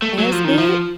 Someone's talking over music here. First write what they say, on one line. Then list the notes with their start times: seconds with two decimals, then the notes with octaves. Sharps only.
as good,
0.02 A3
0.18 F#3
0.32 F3
0.45 D#3
0.58 F3